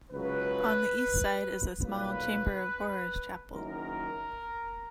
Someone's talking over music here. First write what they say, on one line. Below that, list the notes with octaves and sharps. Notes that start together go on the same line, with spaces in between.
On the east side is a small 'chamber of horrors' chapel.
C#2 C#3 F#3 B4
B1 A#2 F#3 A#3 B4
F#1 F#2 D#3 A#4